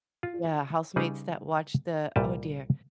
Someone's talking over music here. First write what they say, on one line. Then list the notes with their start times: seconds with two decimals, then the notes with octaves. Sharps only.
yeah, housemates that watched the oh dear,
0.23 F4
0.96 C#3 G3 D#4 G#4 B4
2.16 C2 A#2 G3 B4 G5 A5